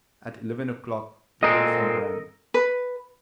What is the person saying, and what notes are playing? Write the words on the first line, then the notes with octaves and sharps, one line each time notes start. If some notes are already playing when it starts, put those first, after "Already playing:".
At eleven o'clock the telephone rang.
A#2 G#3 C4 A4 A#4 D#5
B4